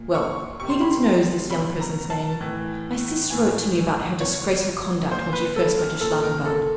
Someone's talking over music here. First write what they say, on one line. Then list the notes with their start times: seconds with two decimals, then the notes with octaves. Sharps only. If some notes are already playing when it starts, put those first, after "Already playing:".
Well, Higginson knows this young person's name; my sister wrote to me about her disgraceful conduct when she first went to Schlangenbad.
Already playing: A#2
0.15 C#6
0.60 C3 D#3 C#6
0.70 C6
0.81 B5
0.91 C6
1.50 B2 B5
1.80 A#5
2.10 A5
2.40 A2 E3
3.30 A2 E3 G#5
4.20 B2 C#5
5.11 A#2 C5
5.33 B4
5.56 A4
5.79 A#4
6.01 A#2 A4
6.23 A#4
6.46 A4